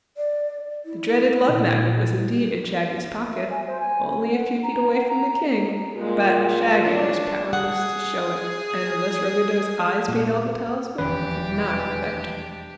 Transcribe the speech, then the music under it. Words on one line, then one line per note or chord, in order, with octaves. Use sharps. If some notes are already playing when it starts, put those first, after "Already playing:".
The dreaded Love Magnet was indeed in Shaggy's pocket, only a few feet away from the King, but Shaggy was powerless to show it and unless Ruggedo's eyes beheld the talisman it could not affect him.
D5
E4
A#2
E5
G#5
C5
G#5
C#4
F#5
A#5
F#5
A#5
A#2 G#3
G3 D4 C#5
G#4 F#5
A#2
E1 F2 D#3 E3 D4 G4 B4